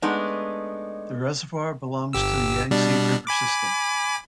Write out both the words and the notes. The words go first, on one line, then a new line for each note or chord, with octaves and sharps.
The Reservoir belongs to the Yangtze River system.
G#3 A3 B3 D4 D#4
G1 G4 E6
B2 G3 D4
G#5 B5 D6